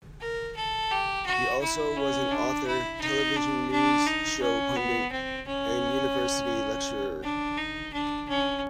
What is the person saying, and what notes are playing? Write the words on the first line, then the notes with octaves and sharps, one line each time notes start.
He also was an author, television news show pundit, and university lecturer.
A#4
A4
G4
F#4
E4
C#4
D4
E4
D#4
D4
D4
D#4
C#4
B3
C4
C#4
D4
D#4
D4
C#4